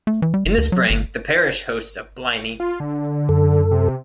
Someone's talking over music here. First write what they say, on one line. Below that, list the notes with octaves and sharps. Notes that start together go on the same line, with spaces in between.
In the spring, the parish hosts a Blini.
A3
E3
G3
F#1
D2
F#3
G1
F4
D3
F#2 A4
C3